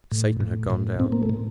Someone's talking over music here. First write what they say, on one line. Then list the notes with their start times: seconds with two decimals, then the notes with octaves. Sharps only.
Satan had gone down.
0.11 A2
0.41 A2
0.70 A2
1.00 A2 C4
1.12 A#3
1.23 A3
1.30 A2